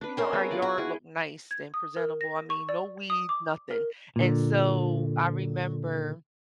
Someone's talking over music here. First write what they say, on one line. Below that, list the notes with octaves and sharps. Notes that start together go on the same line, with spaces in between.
you know, our yard looked nice and presentable. I mean, no weeds, nothing, and so, I remember,
D4 B4
C4 C#4 A#4
B3 G#4 E5
F4 B4 D5
F#4
E4 G#4
G#6
D#6
A#4
A#6
C#6
D5
D#6
D6
A#4
A#2 D3